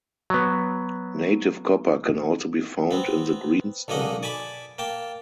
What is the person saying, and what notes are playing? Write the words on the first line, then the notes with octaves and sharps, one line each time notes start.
Native copper can also be found in the greenstone.
F#3 B3
B3 C4
B1 D3 A#3 G#4 D#5 F#5
D5 G#5 A5 B5 D6
A#3 G5 A5